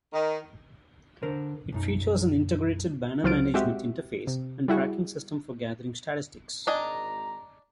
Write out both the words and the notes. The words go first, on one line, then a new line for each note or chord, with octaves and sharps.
It features an integrated banner management interface and tracking system for gathering statistics.
D#3
D3 A#4 C5
B1 F#2 D#4
C#2 F#3 C5 F6 A6 D7
G#3 C4 F#4 G4 E5
C3
G3 E4 F#4 G#4
G#1 D4 D#5 G#5 A#5